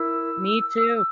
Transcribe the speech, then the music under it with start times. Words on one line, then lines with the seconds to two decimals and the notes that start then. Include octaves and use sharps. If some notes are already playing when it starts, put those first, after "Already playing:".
Me too,
Already playing: E4 A#4 E6